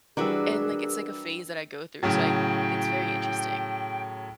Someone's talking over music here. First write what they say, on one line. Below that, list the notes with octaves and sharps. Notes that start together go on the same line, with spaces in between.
and, like, it's, like, a phase that I go through, it's, like it's very interesting.
E3 G3 D4 F#4 G#4 A#4 B4 E6
A2 C#3 F#3 G5